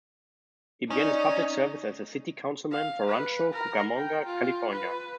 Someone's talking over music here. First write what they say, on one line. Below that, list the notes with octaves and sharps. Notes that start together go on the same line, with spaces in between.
He began his public service as a City Councilman for Rancho Cucamonga, California.
C#4 D#4 D5 D#5
F5
B4
A#4
G5
F4
B4